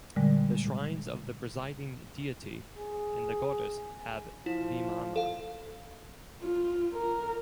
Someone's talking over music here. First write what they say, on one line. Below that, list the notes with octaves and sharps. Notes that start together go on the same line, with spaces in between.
The shrines of the presiding deity and the goddess have vimana.
A#2 D3 G3 G#3
G#4
F3 E4
A4 F5
F4
A#4